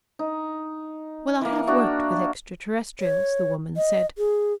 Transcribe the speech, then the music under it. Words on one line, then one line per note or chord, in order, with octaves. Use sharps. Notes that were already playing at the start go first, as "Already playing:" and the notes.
"Well, I have worked with extraterrestrials," the woman said.
D#4
E3 A#3
D4 F#4 E5
C#5
D#5
G#4